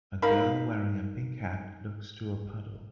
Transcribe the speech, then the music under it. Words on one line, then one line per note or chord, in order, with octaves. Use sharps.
A girl wearing a pink hat looks to a puddle.
D#4 A#4 F5 B5